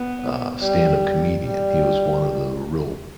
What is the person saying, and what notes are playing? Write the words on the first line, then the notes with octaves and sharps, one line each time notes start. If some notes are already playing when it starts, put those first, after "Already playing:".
uh, stand up comedian. He was one of the real
Already playing: B3
G3
G3